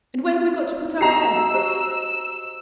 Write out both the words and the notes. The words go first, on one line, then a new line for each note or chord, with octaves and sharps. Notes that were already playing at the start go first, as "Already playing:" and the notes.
And where have we got to put our heads?
F#4 G4 D#5 A5 A#5 E6 C7
G4 C5